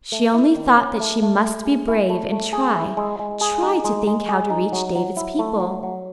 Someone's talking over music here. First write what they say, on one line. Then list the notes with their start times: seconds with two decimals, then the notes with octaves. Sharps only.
She only thought that she must be brave and try--try to think how to reach David's people.
0.12 A3
0.34 E4
0.56 D#3
0.78 C#4
1.00 A3
1.22 A3
1.44 A3
1.65 G#4
1.88 E4
2.09 A3
2.31 A3
2.53 G#4
2.76 E4
2.97 G#3
3.19 G#3
3.41 G#4
3.63 D#4
3.84 G#3
4.07 G#3
4.29 G#4
4.50 D#4
4.72 F#3
4.95 F#3
5.17 E4
5.39 A3
5.60 F#3
5.83 F#3